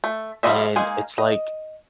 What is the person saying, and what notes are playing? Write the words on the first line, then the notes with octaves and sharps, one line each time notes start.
And it's like
A3
F3 G3 C4 D#5 E5
G#3 A#3 D#4 G#4
D#5